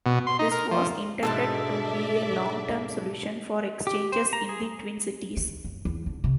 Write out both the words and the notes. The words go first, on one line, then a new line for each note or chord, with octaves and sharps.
This was intended to be a long-term solution for exchanges in the Twin Cities.
B2
C6
D#4
A#4
F3
G#2 B2 D4 A4 D5 E5 A5
G4
C5
A#5
G#4
D#3
F#2
E2
D3
C3